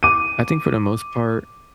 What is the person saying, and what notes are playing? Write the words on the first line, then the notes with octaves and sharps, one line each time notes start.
I think for the most part
D6 D#7